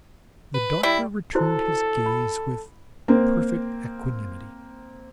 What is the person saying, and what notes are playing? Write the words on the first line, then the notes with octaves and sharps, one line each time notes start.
The doctor returned his gaze with perfect equanimity.
B4
G3 E4
E4 F#4 A4 C5
B5
A#3 C4